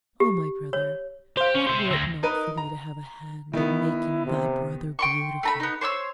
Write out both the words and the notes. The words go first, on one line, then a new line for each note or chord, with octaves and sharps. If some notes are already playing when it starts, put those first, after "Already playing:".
O my brother, what were it not for thee to have a hand in making thy brother beautiful!
G4
C#5
G4 C5 F5
C#4
G4 E5 C6
D2 E6 A#6
D#4 A#4 B4
A#5
D#3 B3 E4
C3
G5 C6 C#6
A3 A#5 B5
B3 D#4
C5 C#5 C#6 E6